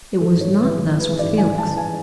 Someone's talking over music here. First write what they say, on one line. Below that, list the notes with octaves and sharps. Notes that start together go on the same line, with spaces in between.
It was not thus with Felix.
E3 A4
G#2 C#5
E3
B4
E3
E3
E3 B4
E3
G#2 D5
E3 G#5
E3
A5
E3
G#5